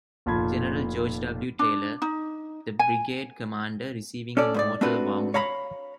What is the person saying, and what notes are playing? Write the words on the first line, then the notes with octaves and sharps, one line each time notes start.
General George W. Taylor, the brigade commander, receiving a mortal wound.
F1 A#2 F4 A5 B5 G#6
D4
D#4
G#5
C#4 A4 D5
G#2 B4 D5
A3 C4 D4 F#4 B4
C#5 F5 A#5 B5